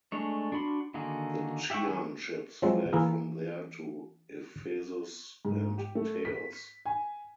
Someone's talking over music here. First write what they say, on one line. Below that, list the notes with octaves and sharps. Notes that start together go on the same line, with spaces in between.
The Chian ships fled from there to Ephesus and Teos.
G#3 A3 D4 C#5
D4 F#4 B5 C6
D3 D#3 A#3 F#4 G#4
G4 E5 F#5 G5 C#6
D#3 E4 G#5
F3 F#3 G#3 C4
E3 A#3 E4 G#4 A#4
G#2
G4
A3
B6
G#5